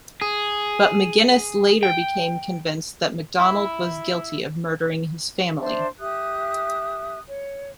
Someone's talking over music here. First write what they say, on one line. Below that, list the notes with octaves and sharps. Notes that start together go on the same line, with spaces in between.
But McGinniss later became convinced that MacDonald was guilty of murdering his family.
G#4
G5
E4
D4 C5 E5
G4 E5 D#6 F#6
C#5